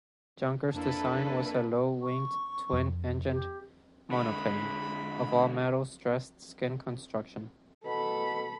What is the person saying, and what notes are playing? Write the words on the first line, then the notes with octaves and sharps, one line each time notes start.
Junkers' design was a low-winged twin engined monoplane, of all-metal stressed skin construction.
F2 A#3 D4 E4 A4 B4
C#6
F2
G4
D3 G#3 B5
B2 A4 B5